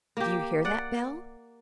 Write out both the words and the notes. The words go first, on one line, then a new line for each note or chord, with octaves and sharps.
Do you hear that, Bell?
A#3 G4
D5 F#5